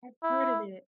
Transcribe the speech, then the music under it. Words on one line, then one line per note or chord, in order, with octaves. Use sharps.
I've heard of it.
E4